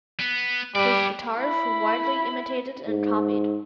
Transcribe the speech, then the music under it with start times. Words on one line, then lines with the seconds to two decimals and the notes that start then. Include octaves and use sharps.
His guitars were widely imitated and copied.
0.20 B3
0.75 G3 B4 D5
1.38 E4 B5
2.87 G#2